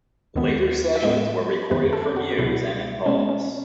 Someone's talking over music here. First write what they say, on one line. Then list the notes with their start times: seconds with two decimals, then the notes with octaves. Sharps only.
Later sessions were recorded for Muse and Impulse.
0.35 D#2 D#3 G#3 B3
0.96 E5
1.03 A2 G#3 B3 D#5
1.71 F#2 D#3 G#3 B3 B4
1.93 A4
2.16 F#4
2.38 C#2 B2 F#3 B3 E4
3.06 B2 G#3 B3 C#4
3.29 C#4